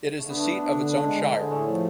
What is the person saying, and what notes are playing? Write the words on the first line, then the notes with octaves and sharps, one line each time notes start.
It is the seat of its own shire.
D3 A3
B3
A3 D4
D4
D3
D4
G#3
D3
D3
G#3
A2 A3
F3